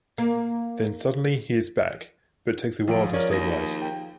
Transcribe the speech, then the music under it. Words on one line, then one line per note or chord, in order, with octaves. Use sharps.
Then suddenly he is back, but takes a while to stabilise.
A#3
G#1 F3 F4 G#4 D7
C#4 A#4 D5
D#2 D#6 A#6
G5